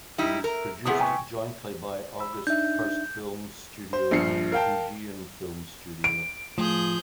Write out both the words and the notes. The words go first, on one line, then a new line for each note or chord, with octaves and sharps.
It is produced jointly by August First Film Studio and Fujian Film Studio.
G3 D#4 E4
A#4
A2 C3 B3 G#4 F#5 D#6
G5 G#5 C#6
B5 E6
D4 D#4 E5 G6
C5
A#1 G2 F3 C7 C#7
A#4 F5 G5 A5
D7
A2 F3 G#4 G6